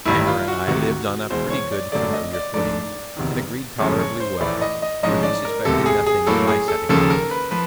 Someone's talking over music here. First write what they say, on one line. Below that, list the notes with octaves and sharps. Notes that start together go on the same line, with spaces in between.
Keimer and I liv'd on a pretty good familiar footing, and agreed tolerably well, for he suspected nothing of my setting up.
A1 G2 D#3 E4
F4
F#4
D2 C3 D#3 F#4
E2 B2 G#3 C5
C#5
D5
F#2 D3 F#3 A3 D5
D#5
D5
G#2 F3 A3 D4 D5
F#1 E2 C3 D#3
G1 F#2 C#3 F3 G#3 C#5
C#5
C5
A#1 A2 E3 A3 D5
D#5
D#5
A1 G#2 F3 G#3 C#4 D#5
D5
A#4
E1 D2 C3 A4
G#4
G#4
A2 F#3 A#3 A4
G#4
A4
D#2 C#3 F3 A#3 A4
A#4
B4
F3 B4